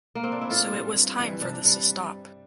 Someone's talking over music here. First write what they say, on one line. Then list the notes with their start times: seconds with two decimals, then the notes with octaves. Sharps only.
So it was time for this to stop.
0.15 A#3
0.24 C4
0.32 D4
0.42 E4
0.50 A2 F4
0.73 G3
0.96 G2
1.20 E3 G3
1.42 C3 D4
1.65 G3